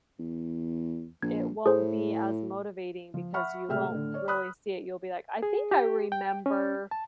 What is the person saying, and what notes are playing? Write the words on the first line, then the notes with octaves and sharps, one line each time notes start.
it won't be as motivating because you won't really see it, you'll be like, "I think I remember
E2
A#1 G#6
A2 G#4 A4 C5
F3
E5 F#5 B5 C#6 F6
A2 C3 G#3 E5 G5 F6
A2 D3
C#5 D5
B5 D#6 F#6
G#4
G4
G5
C#4
A5